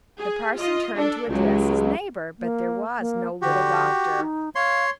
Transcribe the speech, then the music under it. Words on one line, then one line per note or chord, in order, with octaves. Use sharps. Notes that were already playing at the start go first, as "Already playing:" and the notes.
The parson turned to address his neighbour, but there was no little doctor.
G#4
F4 D#5
D4 A4
C#2 F#3 G#3 G4
A#3
A#3
D3 F#4 G4
D#4
C#5 F5 C6